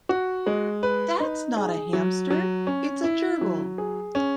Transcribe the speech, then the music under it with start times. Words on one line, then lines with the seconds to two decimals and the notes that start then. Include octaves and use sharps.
That's not a hamster, it's a gerbil.
0.09 F#4
0.46 G#3
0.83 B4
1.20 D#4
1.57 G#4
1.93 F#3
2.30 F#3
2.67 C#4
3.04 E4
3.41 F#3
3.78 G#4
4.15 C#4